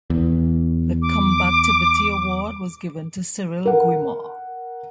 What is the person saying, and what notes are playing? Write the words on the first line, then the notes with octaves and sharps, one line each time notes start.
The combativity award was given to Cyrille Guimard.
E2
D6
A#4 F#5